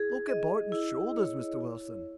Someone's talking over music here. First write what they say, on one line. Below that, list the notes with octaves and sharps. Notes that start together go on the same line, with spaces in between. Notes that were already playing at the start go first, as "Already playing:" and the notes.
"Look at Barton's shoulders, Mr. Wilson."
Already playing: E4 G#4
D#5
E4
C#5
E4